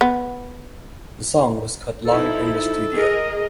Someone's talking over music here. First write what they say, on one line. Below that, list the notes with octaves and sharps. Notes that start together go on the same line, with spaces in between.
The song was cut live in the studio.
B3
F3 D#4 E4 A4
G#4 A#4 D#5